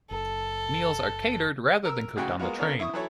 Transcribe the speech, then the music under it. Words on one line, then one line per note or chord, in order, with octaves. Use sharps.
Meals are catered rather than cooked on the train.
F#1 A4
A#4 E6
B1 A2 C#3 F#4 G5
G#3 A#3 B3 F4 F#4
B3 C#4 D4 F4 A4 A#4
E4 E5 C#6 D#6
E3 F#3 E4 A4 C#5